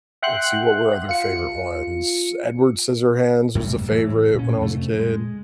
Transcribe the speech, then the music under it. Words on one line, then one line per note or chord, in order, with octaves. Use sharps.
let's see what were other favorite ones. Edward Scissorhands was a favorite when I was a kid.
E5 F#5 G5 C6 F#6
F4 C#7
F#2 A2 C3 G3
A2 E3
A#2 C#4
F2 C3 A3
G#3